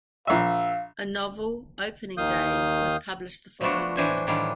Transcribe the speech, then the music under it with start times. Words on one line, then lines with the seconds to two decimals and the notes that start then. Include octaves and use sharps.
A novel, "Opening Day", was published the following year.
0.27 A#1 E5 F5
2.17 D#2 D#3 F5 D#6 G6
3.61 F3 G3 A3 B3 D4 F#4
3.97 A2 E3 D4 F#4 C5 G#5
4.27 A2 D#3 E3 G3 D4 F4